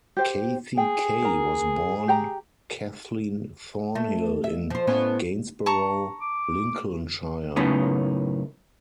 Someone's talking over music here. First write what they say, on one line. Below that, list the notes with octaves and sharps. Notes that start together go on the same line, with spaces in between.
Kathie Kay was born Kathleen Thornhill in Gainsborough, Lincolnshire.
G4 C5 G5
G#4 G5
A#4 A#5
G4 G5 A#5
A3
E5
F3 C5
A2 B3 C#4
A5 A#5 C#6
D6
F#2 A2 C#3 B3 D#4